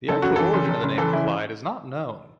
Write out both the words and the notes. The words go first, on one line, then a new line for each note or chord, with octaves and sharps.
The actual origin of the name "Clyde" is not known.
F#1 A4
F#2 F#4
E3 A4
F#1
F#1
F#1
E3 A4
F#1 E4